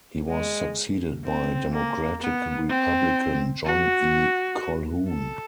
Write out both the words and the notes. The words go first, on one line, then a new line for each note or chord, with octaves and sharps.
He was succeeded by Democratic-Republican John E. Colhoun.
G#3
C4
A#3
B3
C4
F#4
A4